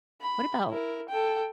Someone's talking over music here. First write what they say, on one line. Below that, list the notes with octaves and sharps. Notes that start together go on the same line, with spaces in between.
what about,
B5
E4 A#4
A4 G5